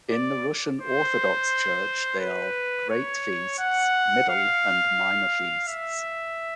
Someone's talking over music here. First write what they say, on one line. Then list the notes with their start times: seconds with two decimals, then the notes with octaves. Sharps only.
In the Russian Orthodox Church they are: Great Feasts, middle, and minor feasts.
0.11 D5
0.81 C5
2.20 B4
2.89 C#5
3.59 F#5
4.29 F5
5.68 E5